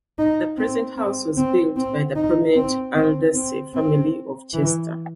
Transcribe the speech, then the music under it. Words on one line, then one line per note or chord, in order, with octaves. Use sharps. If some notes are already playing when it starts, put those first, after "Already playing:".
The present house was built by the prominent Aldersey family of Chester.
D#4
C4
C4
C4
C4
D#4
C4
C4
C4
C4
E3